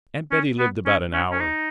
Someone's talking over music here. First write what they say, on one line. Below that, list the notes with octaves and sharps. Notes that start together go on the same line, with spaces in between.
Aunt Betty lived about an hour.
C#4
B3
C#4
C#4
C#4
D#4